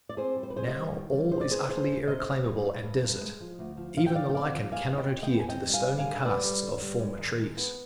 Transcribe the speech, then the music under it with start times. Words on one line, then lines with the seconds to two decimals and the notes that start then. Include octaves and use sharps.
Now, all is utterly irreclaimable and desert; even the lichen cannot adhere to the stony casts of former trees.
0.09 D5
0.17 C4 G#4 C5
0.37 G3
0.43 C5
0.50 B4
0.56 C4 G#4 C5
0.67 C5 D#5
0.74 G3
0.94 D#3
1.13 G3
1.31 D#3 C5
1.41 D5
1.51 B3 G#4 C5
1.69 D2 G#4 C5
1.88 D2
2.07 C3 C5 D#5
2.26 D2
2.44 G3
2.64 G2
2.83 G2
3.02 G2
3.21 G#3
3.40 F3
3.59 D2
3.77 F3
3.97 F3 F5
4.06 G5
4.15 F3 D5 F5
4.29 G5
4.34 C4 D5 F5
4.54 F3
4.72 D#2 F5 G#5
4.92 D#2
4.97 D#5 G5
5.10 D#2
5.23 D#5 G5
5.30 B3
5.39 G#5
5.48 C4 D#5 G5
5.68 G3
5.74 F5 G#5
5.87 G3
5.98 F5 G#5
6.05 D3
6.24 G3 B4 D5
6.44 G3
6.62 D3
6.82 G3
7.00 G#3
7.19 D#3
7.38 G#3
7.57 B3